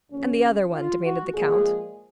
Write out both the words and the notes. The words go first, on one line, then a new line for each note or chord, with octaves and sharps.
"And the other one?" demanded the count.
D#2 C#3 F3 A#3 C#4
F4
F#4
A#2 F3 G#3 G#4